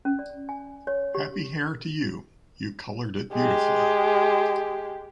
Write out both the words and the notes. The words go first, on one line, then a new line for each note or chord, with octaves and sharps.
Happy hair to you. You colored it beautifully.
C#4
D5
G#5
C#5
G4
G#3 G4